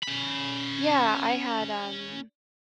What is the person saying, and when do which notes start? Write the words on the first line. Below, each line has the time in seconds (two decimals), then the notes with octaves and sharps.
Yeah, I had, um,
0.03 C#4 B5